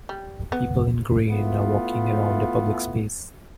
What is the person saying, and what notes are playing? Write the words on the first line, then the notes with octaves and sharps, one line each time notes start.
People in green are walking around a public space.
G3
B3
A3 B3 E4 F4